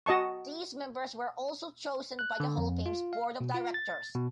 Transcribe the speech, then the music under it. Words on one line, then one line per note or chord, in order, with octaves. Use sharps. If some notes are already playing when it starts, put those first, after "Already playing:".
These members were also chosen by the Hall of Fame's Board of Directors.
F#4 D#5 A5 C#6
F#6
D3
F2
F4
F5
B2
F4
A6
B2